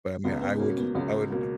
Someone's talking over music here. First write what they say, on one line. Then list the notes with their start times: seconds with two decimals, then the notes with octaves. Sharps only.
But, I mean, I would l I would
0.24 C#2 B3
0.42 B3
0.59 B2 A#3 C#4
0.78 B3
0.95 C#2 C#4
1.30 B2 A#3